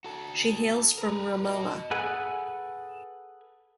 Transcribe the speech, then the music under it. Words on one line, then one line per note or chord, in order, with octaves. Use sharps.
She hails from Ramallah.
F#4 A4
A#4 B4
F#4 D#5
G#4 A4 B4 F#5 G#5